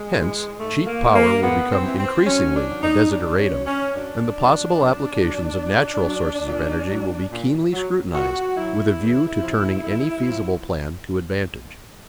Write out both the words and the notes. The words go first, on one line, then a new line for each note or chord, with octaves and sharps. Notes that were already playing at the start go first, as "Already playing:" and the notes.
Hence cheap power will become increasingly a desideratum, and the possible applications of natural sources of energy will be keenly scrutinised with a view to turning any feasible plan to advantage.
Already playing: G#3
E3
G#2 A3
A#3
E3
A#3
G#2 B3
C4
E3
C4
F#2 C#4
D4
D#3 F#3
D#4
F#2 D4
C#4
D#3 F#3
C#4
F#2 D4
D#3 F#3
F#2
D#3 F#3
A#2
F#3
A#2
F#3
A#2
F#3
A#2 F#4
F#3 E4
E2
C3 F3
E2
C3 F3